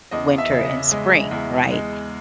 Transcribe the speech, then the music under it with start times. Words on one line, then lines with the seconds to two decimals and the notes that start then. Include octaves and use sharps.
winter and spring, right?
0.11 E2 D#5
0.38 E5
0.52 C#3
0.65 D#5
0.91 G#3 D#5
1.31 E2
1.71 G#3